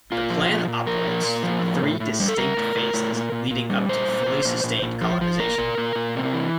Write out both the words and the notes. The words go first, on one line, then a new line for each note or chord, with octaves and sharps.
The plan operates through three distinct phases leading up to fully sustained colonization.
A#2 F4
F3
A#2
A#2
F3 A#4
A#2
A#2
F3
A2
A2
A2
G3
A4
G3 A#4
A2
A2
A2
A#2
A#2
A#2
G3
A#2 C5
A#2
A#2
A#2
A#2
A#2
F3
F3
A#2 A#4
A#2
A#2
A#2
C3
E3